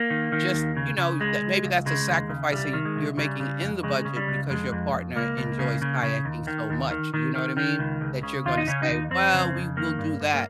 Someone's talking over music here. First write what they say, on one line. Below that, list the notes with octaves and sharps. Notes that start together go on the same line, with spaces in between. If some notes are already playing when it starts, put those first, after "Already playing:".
just, you know, tha maybe that's a sacrifice that you you're making in the budget because your partner enjoys kayaking so much, you know what I mean? That you're gonna say, "Well, we will do that
Already playing: A#3
D#3
D#3
D#2
C#3
C#3
C#2 G#3
C#2
C#2
C#3 G#3
D#2
C#3
C2 G3
D#3
G#3
C2
C#3 G3
C#3
F2
C#3 G#3
C#3
G3
C#2
F2 G#3
F2
F2
C#2 A#3
C#2
C#3
C#3
C#3
D#2
D#3
D#2
D#3
D#3
D#3
D#3
C#2
C#2
C#3
D#2 F4
D#4
C#3 C#4
D#4
D#2
F2 C4
C#3
F2
D#3 A#3
G2
G2
A#3